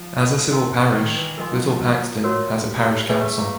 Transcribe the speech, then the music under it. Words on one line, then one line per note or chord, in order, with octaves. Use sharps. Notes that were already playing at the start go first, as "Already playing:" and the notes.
As a civil parish, Little Paxton has a parish council.
Already playing: F3
A#4 D#5 G#5 C6
D#3
E3
F3 A#4 D#5 G#5 C6
F#3
F3
F3
F#4 A#4 C#5
G3
A3 G#4 B4 E5 G#5
A3
A#3